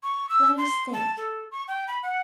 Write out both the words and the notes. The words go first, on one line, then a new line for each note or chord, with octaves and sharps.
Let us think.
C#6
E6
C6
A5
A4
C#6
G5
B5
F#5